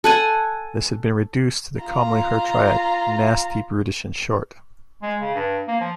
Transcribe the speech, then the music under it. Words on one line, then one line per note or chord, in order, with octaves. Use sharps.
This has been reduced to the commonly heard triad "nasty, brutish and short".
A4 F#5 G#5
F4 A#5
G#3
C#3
G2
A#3
F3